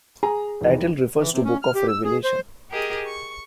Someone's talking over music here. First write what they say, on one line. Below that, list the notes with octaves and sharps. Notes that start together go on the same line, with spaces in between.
Title refers to Book of Revelation.
G#4 A#5
E2 D#3 E3
E3
C3
C#4
F6
G4
E6
G#4
C5
G4 G#4 A#4 D#5 G#5
C#6